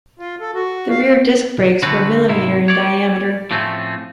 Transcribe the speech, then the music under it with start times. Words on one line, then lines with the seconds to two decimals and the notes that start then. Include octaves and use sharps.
The rear disc brakes were mm in diameter.
0.19 F4
0.41 A4
0.54 F#4
0.90 F5
1.82 D3 A3 C4 C#4 F#4 B4
2.28 G#2 C3 D#3 E4
2.68 C#5 D5
3.51 A2 F3 A3 C4 C#4 G#4